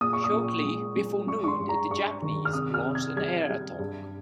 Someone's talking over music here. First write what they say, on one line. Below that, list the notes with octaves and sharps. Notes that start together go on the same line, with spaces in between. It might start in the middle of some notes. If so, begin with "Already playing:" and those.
Shortly before noon the Japanese launched an air attack.
A#2 D#6
C#6
D#6
A#2
G#3
G#3
G#3 C#6
C#6
C6
G2
A#5
G2 C#6
D#3
F6
C3 D#6
F6
C3
G#6
G3 G#6
G3
G2